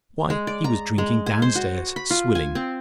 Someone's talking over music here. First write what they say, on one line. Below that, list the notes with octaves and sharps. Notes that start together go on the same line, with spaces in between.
Why, he was drinking downstairs--swilling.
G#3
D5
A#5
G#3
G#5
C5
F#4
B5
F4
G#5
C4